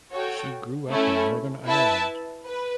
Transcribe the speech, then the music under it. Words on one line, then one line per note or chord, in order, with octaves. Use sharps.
She grew up in Northern Ireland.
F#4 A4 C#5 G5
A3 C#4 E4
E4 B4 E5 A5
B4